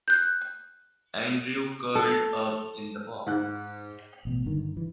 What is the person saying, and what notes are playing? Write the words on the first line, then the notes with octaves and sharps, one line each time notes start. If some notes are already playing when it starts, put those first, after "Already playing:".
Andrew curled up in the box.
F#6 G6
A4
G#2 F#6
A1 B2
G2 D3 D#3
E3